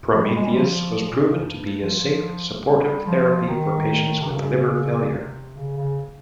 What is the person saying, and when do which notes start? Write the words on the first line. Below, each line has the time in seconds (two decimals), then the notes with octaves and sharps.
Prometheus was proven to be a safe supportive therapy for patients with liver failure.
0.15 F3
0.25 G3
0.36 G#3
0.46 G3
0.57 F3
0.98 F3
1.09 A#2
1.20 C3
1.30 C#3
1.40 G2
1.81 F3
2.65 G3
3.07 F3
3.48 D#3
4.22 C3
4.31 C#3
5.06 C#3
5.14 C3
5.56 C#3
5.77 C#3